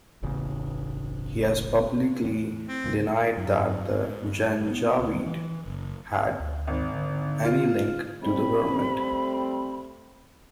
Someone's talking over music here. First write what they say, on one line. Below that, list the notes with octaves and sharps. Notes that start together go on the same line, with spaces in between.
He has publicly denied that the Janjaweed had any link to the government.
E1 A1 C#3
E2 A2
C4
C#2 A#2
F#2
G#2
G2
B3
C#2
E3
F#1
D2
G#1
D3
F4
G3 A3 C4 B5